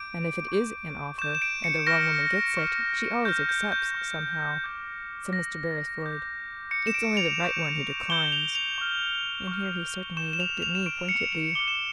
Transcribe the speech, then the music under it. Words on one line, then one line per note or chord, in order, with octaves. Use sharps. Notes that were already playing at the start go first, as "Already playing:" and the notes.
"And if it is an offer, and the wrong woman gets it, she always accepts, somehow," said Mr. Beresford; "It's only the right one who declines!" and here he certainly looked at me pointedly.
Already playing: D6 G6 D7
C#6 G6
C#6 G6 E7
E7
D7
C#7
C#6 F6 A#6
C#6 F6
C#6 F6 G6
G6
G6
C#6 F6
D6 G6
D6 G6 A#6
D6 G6
D6 G6 C#7
E7
D7
F7
C#6 G6
C#6 G6 G7
F7
F7
C#6 F6
C#6 F6
C#6 G6 E7
E7
F7
F7
E7
C#6 G6 D7
C#7
F7
D6 F6 G7
E7